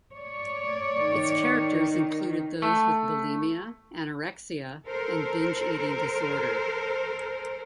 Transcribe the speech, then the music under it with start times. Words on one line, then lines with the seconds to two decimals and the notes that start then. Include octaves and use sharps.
Its characters included those with bulimia, anorexia, and binge eating disorder.
0.13 C#5 D5
0.99 D#3
2.62 A3
4.86 A4 A#4 C5